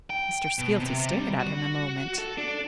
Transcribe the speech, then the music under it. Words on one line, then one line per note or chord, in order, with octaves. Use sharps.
Mr. Skeelty stared at him a moment.
G5
B2
C3
G3
F#4
A4
D4